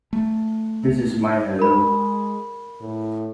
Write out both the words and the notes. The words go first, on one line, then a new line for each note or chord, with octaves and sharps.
This is my hello.
A3
G#3 A#4 B5
A2